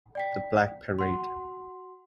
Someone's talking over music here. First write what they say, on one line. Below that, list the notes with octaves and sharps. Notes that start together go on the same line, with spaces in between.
The Black Parade.
D5 G5 B6
F#4 F#5 C6